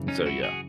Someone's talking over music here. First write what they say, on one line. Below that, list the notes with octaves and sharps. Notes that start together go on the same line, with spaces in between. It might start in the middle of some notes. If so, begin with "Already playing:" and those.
so, yeah,
Already playing: F#2 C#3 E3
C#4 D#4
E4 F#4
F#4 G#4